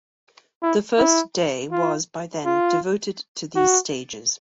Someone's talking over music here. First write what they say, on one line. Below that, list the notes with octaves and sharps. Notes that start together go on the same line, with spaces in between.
The first day was, by then, devoted to these stages.
E4
E4
F4
F4
F#4